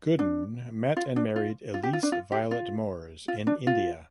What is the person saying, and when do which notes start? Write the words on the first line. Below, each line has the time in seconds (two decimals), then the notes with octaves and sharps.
Gooden met and married Elise Violet Moores in India.
0.19 D4
0.97 F4
1.16 D4
1.36 F4
1.74 F4
1.83 G4
1.93 F4
2.03 D4
2.12 F4
2.32 G4
2.51 F4
3.28 F4
3.47 D4
3.67 F4